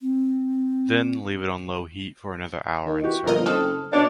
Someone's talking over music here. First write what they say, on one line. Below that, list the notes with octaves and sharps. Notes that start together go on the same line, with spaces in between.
Then leave it on low heat for another hour and serve.
C4
D#3
E3 F#4 G4
G1 A#2 F3 A#4 D#5
F#1 C4 A4 D#6 F6
B2 D4 C#5